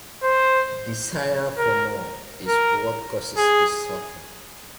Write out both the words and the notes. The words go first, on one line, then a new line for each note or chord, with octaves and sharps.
Desire for more is what causes this suffering.
C5
A#4
A#4
G#4